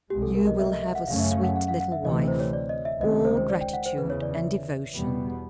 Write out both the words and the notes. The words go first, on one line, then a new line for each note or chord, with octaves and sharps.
You will have a sweet little wife; all gratitude and devotion.
C2 B2 G#3 G4
A4
A#4
D#5
E5
D#5
E5
F#5
F#2 C#3 F#3 A3 C#4 F5
E5
F5
F#5
F#5
F#5
F#5
E5
D2 C3 E3 D#5
C5
C#5
D5
D#5
E5
C#2 C3 D#3 D#5
C5
C5
D5
G5
F#5
C5
E2 C#3 E3 B4
C#5
D5
E5
E2 B2 G3 B3